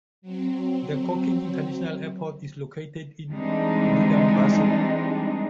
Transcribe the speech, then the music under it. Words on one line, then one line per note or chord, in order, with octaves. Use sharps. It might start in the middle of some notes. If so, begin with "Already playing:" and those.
The Cochin International Airport is located in Nedumbassery.
F#3 C4
E3 G3 G#3 C4 D4 D#4